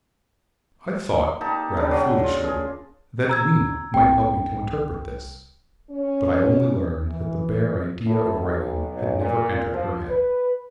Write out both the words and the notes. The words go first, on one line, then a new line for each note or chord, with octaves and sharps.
I thought, rather foolishly, that Weena might help me to interpret this, but I only learned that the bare idea of writing had never entered her head.
A#3 D#4 G4 A5
C#3 G3 D4
F#3
F4
G#4
A#5 E6 G#6
C2 G5
C#4
E3
A2
B1
A#2
F3
B4